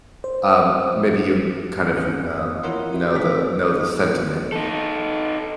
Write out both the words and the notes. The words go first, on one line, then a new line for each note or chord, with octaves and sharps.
um, maybe you kn kind of n um, know the know the sentiment,
C5
D#2 G#2 C#4 F#6 G6
F2
E4 F4 A#4 C#5 F#5 C6
F#4 E5
G#2 E3 C4 A4 D6 B6
D#4 A4